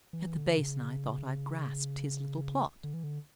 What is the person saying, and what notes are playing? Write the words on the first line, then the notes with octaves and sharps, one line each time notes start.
At the basin I thought I grasped his little plot.
E3
D3
B2
C#3
D3
E3
D3